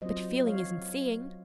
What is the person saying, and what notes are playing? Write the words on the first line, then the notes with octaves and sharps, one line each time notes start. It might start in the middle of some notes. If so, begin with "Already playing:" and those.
But feeling isn't seeing.
F#3 C4 F4 C5 D#5
C#5 F5